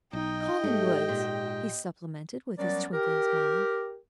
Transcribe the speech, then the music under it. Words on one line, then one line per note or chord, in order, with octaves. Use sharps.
"Collingwoods!" he supplemented, with his twinkling smile.
B1 D#4 D#5 G5
G#2 A3 G4
A#2
F#3 G3 B3 C#4 A#4 D5
G4 A#4